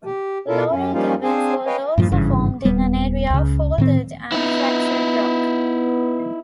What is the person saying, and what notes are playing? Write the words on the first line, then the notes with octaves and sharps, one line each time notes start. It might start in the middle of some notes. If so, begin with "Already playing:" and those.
Laurel Caverns was also formed in an area of folded and fractured rock.
G4
B2 E4 F4 A4 A#4
F#2 C#4
F3 G3 A#3 C#4 D#4 F4
C4 D4 G#4 C5 F5 G#5
B4 C#5 D#5 F5 G5 G#5
G2 A#2 F3
G#1 G2 C#3 E3
D#1 G3 B3
C#2 C#3
A2 D#3 C4
B3 D#4 E4